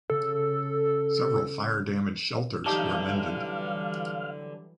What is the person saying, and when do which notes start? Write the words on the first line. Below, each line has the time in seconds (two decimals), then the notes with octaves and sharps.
Several fire-damaged shelters were mended.
0.10 C#3 A4
2.66 D3 E3 F#3 G3 A3 D#4 G4 F5